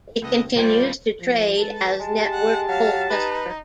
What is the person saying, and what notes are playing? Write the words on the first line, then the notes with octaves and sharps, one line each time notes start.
It continues to trade as Network Colchester.
C#2 A4 B4 D#5
A#2 G3 F4 C5 D5 G5 G#6
F3
G#3 A4 B4 A5
G#3 G4 A5
F#5
F#3 F5
D#4 B4